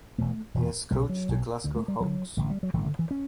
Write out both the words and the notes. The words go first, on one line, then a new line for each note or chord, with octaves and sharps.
He has coached the Glasgow Hawks.
E1 E2 B2 A3
E1 E2 B2
B1 B2 G3
F#3
B1 B2
D2 D3
A3
G3
D2 D3 F#3
A1 G2 D3
G3
F#3
A1 G2 D3 E3
D3
E3
C#4